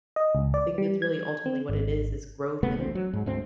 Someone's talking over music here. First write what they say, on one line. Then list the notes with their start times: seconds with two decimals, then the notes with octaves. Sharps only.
I think that's really ultimately what it is, is growth, and
0.16 D#5
0.35 C#2
0.54 D5
0.78 G3
1.02 G#6
1.46 C4
1.69 G#1
2.63 C3 A3 B3
2.77 A1 D2 C4
2.95 F#3
3.13 G#2
3.26 D2 G#2 C4